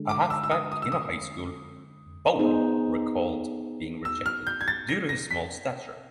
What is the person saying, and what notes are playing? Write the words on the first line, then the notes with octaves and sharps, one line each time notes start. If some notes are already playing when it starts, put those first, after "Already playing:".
A halfback in high school, Boland recalled being rejected due to his small stature.
Already playing: D3 G#3
D6
E6
E6
D#6
D#6
E6
D#6
B3 D#4 G#4 C5
E6
F6
G6
G#6
A6
A#6
A#6
B6